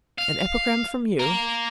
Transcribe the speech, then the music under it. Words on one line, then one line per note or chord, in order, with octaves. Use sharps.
An epigram from you?
F5
A#3 A#4